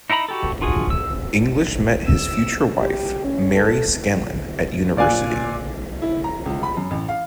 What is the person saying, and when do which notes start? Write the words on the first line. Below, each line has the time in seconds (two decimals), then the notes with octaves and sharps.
English met his future wife, Mary Scanlon, at university.
0.10 D#4 E4 D#5 A#5 B5
0.28 F#4 G4 A4
0.61 D4 F4 F#4 G#4
0.90 E6
2.06 E6
2.79 G4
3.25 C#4
3.55 A4
4.97 A#2 D5 F5 G#5 F#6
6.02 E4
6.24 A#5
6.46 C#2
6.63 B5
6.77 F#2
6.91 A1
7.08 F5